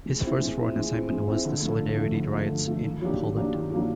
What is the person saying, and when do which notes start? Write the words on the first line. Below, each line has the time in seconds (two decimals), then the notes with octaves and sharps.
His first foreign assignment was the Solidarity riots in Poland.
0.06 G#3
0.23 C4 E4
0.40 G#3
0.58 C4 E4
0.76 G#3
0.93 C4 E4
1.10 G#3
1.28 C4 E4
1.45 D3
1.62 F3 A3
1.80 D3
1.97 F3 A3
2.14 D3
2.32 F3 A3
2.49 D3
2.67 F3 A3
2.84 D#3
3.02 F#3 A#3 D4 G4
3.19 D#3
3.36 F#3 A#3 D4 G4
3.54 D#3
3.71 F#3 A#3 D4 G4